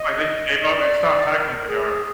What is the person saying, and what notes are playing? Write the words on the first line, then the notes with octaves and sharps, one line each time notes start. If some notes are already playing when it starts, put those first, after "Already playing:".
Like, they just gave up and stopped tackling the guy.
Already playing: D#5
D#5
D5
A#4
G#4